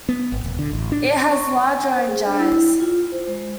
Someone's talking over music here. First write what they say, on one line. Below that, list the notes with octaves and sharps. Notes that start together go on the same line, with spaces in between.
It has large orange eyes.
B3
G#1
D#1
D3
A1
D4
C#6
G#5
C5
G#4
D4
E4
F4
C5
G#3